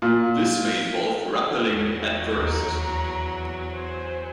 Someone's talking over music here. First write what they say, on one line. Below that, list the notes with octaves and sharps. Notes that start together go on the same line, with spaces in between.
This may involve rappelling head-first.
A#2
E2 F#3
D#2 A#5
C5 G#5